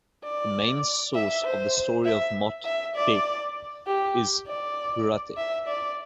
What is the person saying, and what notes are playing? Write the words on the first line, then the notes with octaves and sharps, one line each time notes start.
The main source of the story of Mot 'Death' is Ugaritic.
D5
E5
C5
E5
E5
D5
G4
D5
E5
D5